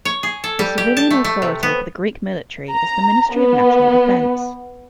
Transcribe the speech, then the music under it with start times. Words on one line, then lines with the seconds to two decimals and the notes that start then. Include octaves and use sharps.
The civilian authority for the Greek military is the Ministry of National Defense.
0.05 C#5
0.23 G#4
0.44 A4
0.59 G3
0.78 G4
0.97 A5
1.11 A3
1.24 A3
1.42 C3
1.63 B3
2.71 A#5
3.34 B3